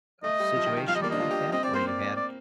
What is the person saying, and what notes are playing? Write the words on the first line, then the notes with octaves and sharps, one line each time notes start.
situation like that, where you had,
A3 D#5
G3
F3
D#3
D#3
F3 F5
G3 D#5
A#3 D5
D4 D#5
F4
G4
C4 D#5
C4 D5
A#3 C5
D5
D5